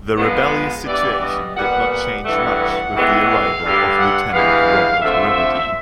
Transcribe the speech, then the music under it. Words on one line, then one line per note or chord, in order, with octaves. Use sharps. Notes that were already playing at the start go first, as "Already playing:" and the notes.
The rebellious situation did not change much with the arrival of Lieutenant Robert Reverdy.
D3 F3 G#3 B3
G2 E3 G3 B3 D5
D#5
A#2 G3 B3 F#5
F#5
G2 E3 A3 F#5
A2 E3 G#3 B3
F5
G2 D3 G3
F#5
G2 E3 G#3 B3 F5
D3 F3 A3 C4 E5